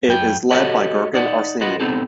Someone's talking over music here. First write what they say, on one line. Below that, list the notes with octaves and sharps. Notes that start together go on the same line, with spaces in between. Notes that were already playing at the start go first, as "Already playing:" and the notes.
It is led by Gurgen Arsenian.
F#2 G5
F#4 G4 A4 C#5 D#5 F#5
D#4 D5 F#5
F4 B4 D#5 F#5
B3 C4 D#4 A4